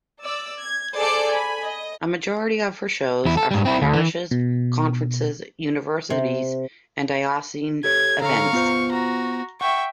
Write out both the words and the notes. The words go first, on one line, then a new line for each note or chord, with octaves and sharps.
A majority of her shows are for Parishes, Conferences, Universities and Diocesan Events.
D5 E6
G#6
G#4 A4 C5 D5 A5 D6
G#5 B5
D#5
E2 E4
A4
G#2 G3
C4 E4
D2
E3
B2
C3
G4 A4 C#5 G#6
D3 A4 C#5 F5 A#5 C#6
B3 F4 C5
F#4 A#5
E5 F#5 G5 C#6